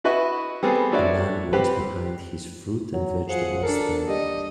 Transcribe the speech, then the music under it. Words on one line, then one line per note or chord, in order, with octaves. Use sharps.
A man works behind his fruit and vegetable stand.
E4 F#4 B4 D#5 E5 C#6
G3 B3 C4 G#4 A4
A3 D4 F#4 C#5 D5 E5
G3 C4 G4 B4 C5
F#3
F3 G#4 F#5
D4 A4 A#4
G3 D#5